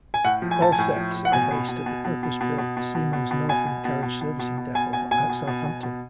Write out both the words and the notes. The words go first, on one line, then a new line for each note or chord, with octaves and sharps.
All sets are based at the purpose-built Siemens Northam Carriage Servicing Depot at Southampton.
G#5
A2 F#5
F3
G#5
A2 A5
G#5
A2
F3
A2
F#5
B2 G#5
B2
B2
B2
B2
B2
B2
B2
B2
B2
B2
B2
B2 G#5
B2
B2
B2
B2
B2
B2
B2 G#5
B2 G#5
B2 G#5
B2
B2
B2
B2